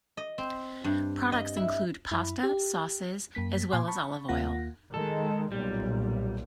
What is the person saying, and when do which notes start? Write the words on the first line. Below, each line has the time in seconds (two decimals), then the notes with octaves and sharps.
Products include pasta, sauces, as well as olive oil.
0.17 D#5
0.38 C4
0.84 G2
1.32 D#5
1.56 E4
2.11 F#2 E4 B5
2.43 G4
3.35 F#2 A#3 B6
3.72 A#2 G#5 C6
3.88 A5 B5 C#6
4.29 D#2 A#3 F4 F#5 A#6
4.94 D#3 G#3 A4
5.52 B1 A#2 G3